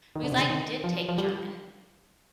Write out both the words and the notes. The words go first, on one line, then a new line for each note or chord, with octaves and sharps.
because I did take German
D#3
D3
C3
D3
D#3
F3
F3
G3